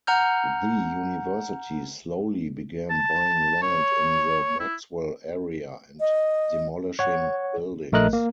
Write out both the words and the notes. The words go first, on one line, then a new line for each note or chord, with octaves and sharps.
The university slowly began buying land in the Maxwell area and demolishing buildings.
F#5 A#5 F6 G6
A5
C#5
E4
D#5
C#5 F#5
A#1 A3 A#4 D#5 F#6
A#3